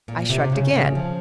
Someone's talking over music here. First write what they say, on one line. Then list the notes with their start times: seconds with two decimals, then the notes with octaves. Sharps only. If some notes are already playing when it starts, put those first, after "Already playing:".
I shrugged again.
0.08 A#2
0.30 C3
0.52 C#3
0.74 C#3
0.95 F3